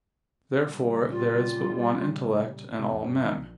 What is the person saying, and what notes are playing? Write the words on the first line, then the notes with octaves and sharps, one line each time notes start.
Therefore there is but one intellect in all men.
A#2 C#3 G3
F4
C3
E2
G2
D#3
A#1